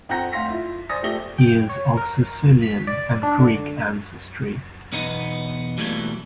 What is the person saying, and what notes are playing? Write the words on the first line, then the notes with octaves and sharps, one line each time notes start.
He is of Sicilian and Greek ancestry.
F2 C4 F#5 A#5 G6 A#6
D2 F5 C6 A#6 B6
E4 F4
C5 D5 G#5 D#6 A6 A#6
F3 A3 G4 D5 A#6 G7
G5
C#5
A#4
B6
D5
D4
D3
B1 E2 B3 D#4
B2 E3 F#3 G3 A3 A#3